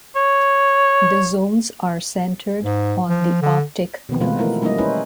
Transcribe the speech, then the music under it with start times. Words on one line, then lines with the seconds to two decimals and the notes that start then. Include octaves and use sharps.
The zones are centered on the optic nerve.
0.16 C#5
2.62 G#2
3.08 F3
3.42 D3
4.09 B2 D#3 B3 C4
4.20 B2 G#3 A3 B3 F4 B4
4.38 E3 F3 A3 E4 A#4
4.62 G3 A#3 C#4 D#4 E4 D#5
4.78 C#4 D#4 E4 B4 C5